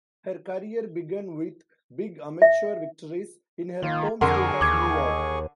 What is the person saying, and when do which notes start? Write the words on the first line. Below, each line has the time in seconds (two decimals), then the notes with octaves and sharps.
Her career began with big amateur victories in her home state of New York.
2.42 E5
3.82 D#3 A#3 F4
4.21 F2 D3 G#4 A#4 F#5 G#5 C6 C#6
4.61 D#2 D6 G#6